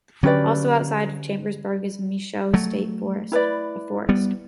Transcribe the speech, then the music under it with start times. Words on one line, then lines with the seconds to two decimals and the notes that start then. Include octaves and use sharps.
Also outside of Chambersburg is Michaux State Forest, a forest.
0.23 D3 F#3 C#4 G4 B4 D5
2.54 F#3 A3
3.32 E4 B4 D5
4.09 G3 B3